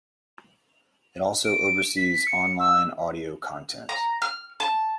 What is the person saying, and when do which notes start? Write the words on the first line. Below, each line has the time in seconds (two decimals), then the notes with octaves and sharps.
It also oversees online audio content.
1.45 D7
1.97 B6
2.26 C#7
2.60 E6
3.89 A#5
4.22 F6
4.60 A5